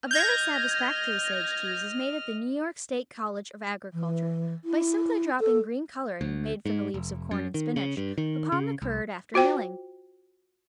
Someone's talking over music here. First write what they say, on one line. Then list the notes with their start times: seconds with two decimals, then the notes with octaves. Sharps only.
A very satisfactory Sage cheese is made at the New York State College of Agriculture by simply dropping green coloring, made from the leaves of corn and spinach, upon the curd, after milling.
0.11 D#5 F6 G6 G#6 A#6
3.93 E3
4.65 E4
5.40 A4
6.21 D2
6.66 G#2
6.94 F1
7.31 F#2
7.54 D#3
7.76 C#3
7.97 G2
8.18 D#3
8.52 C#3
8.82 C2
9.34 F4 F#4 C5 G5